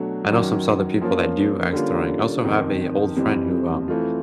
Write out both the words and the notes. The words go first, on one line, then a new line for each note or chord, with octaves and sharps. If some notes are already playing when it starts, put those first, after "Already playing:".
I know some sorta people that do axe throwing. I also have a old friend who, um
Already playing: B2 F#3 A3 D4
F#2 D#3 F#3
F3 A#3 C#4 F4
D3 G3 A#3 C#4 F4
F2 C3 D#3
F2 C3 E3 G3 C4
E3 A3 C4 F4